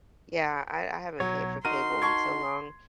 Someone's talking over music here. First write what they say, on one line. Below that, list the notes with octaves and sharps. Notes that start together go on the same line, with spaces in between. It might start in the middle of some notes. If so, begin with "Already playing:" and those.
Yeah. I I haven't paid for cable in so long
B1 F#3 C#5
D#4 F#4 A#4 C6 D#7
A5 C#6 G#6